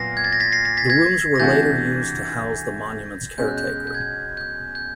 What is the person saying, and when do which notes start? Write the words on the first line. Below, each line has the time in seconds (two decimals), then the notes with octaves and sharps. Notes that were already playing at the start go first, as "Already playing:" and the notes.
The rooms were later used to house the monument's caretaker.
Already playing: A#2 F#3 B3 A#6 C7
0.17 G#6
0.24 A6
0.32 A#6
0.40 A6 B6
0.52 A#6 C7
0.65 A#6 C7
0.77 A6 B6
0.90 G#6 A#6
1.35 A#6
1.39 C3 E3 A3 D4 F#4 G6 A6
3.38 B2 G#3 C#4 G6
3.48 F#6
3.58 G6
3.87 G6
3.95 G#6
4.01 G6
4.37 G6
4.75 G6